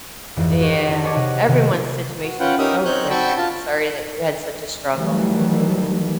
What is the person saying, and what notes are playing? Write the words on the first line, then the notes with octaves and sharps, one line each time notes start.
Yeah. Everyone's situation's so different, I'm sorry that you had such a struggle.
G#1 F2 E3
F#4 G4 B4 C#5 D#5
D#3 D#4
A#4 C5 C#5 G#5 A5 D6
C3 D#5 F#5
C3 D#3 A#3 G#5
F#4
C#4 F4 B4 F#5 G5
C#4 D#4 G4 A#4 E5 D#6
C4 D#4 C#5 F#6 G6
F#4 G5 A5 B5 C#6 E6
F4 A5
D#3 E3 F#3 G3 A3